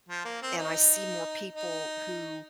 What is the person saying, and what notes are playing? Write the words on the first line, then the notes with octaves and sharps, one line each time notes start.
and I see more people who
F3
A#3
C4
D#4
D#4